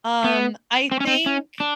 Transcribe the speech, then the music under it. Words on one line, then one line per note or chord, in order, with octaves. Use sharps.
Um, I think
B3
C4
C#4
C4
C#4
D4